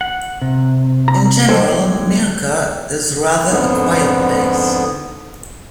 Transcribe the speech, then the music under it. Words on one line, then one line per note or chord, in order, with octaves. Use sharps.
In general, Mirca is rather a quiet place.
F#5
C3
A#5
B1 D3 A4 C5 C#5 G5
F2 G#2 D3 B3